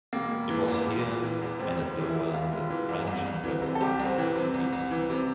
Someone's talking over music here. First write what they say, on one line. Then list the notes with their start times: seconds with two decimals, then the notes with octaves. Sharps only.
It was here and at Dover that the French and Rebel army was defeated.
0.13 E1 A#3
0.31 E1
0.49 E3
0.68 E2
0.86 E1
1.05 E1
1.23 E3
1.42 E2
1.59 E1 C4
1.78 E1
1.97 E3
2.09 E4
2.15 E2
2.33 E1 F4
2.52 E1
2.70 E3
2.89 E2
3.07 C2
3.26 C2
3.44 E3
3.62 C3
3.75 A4
3.81 C2 G4
3.99 C2
4.05 C4
4.18 E3
4.36 C3
4.54 C2
4.73 C2
4.91 E3
5.10 C3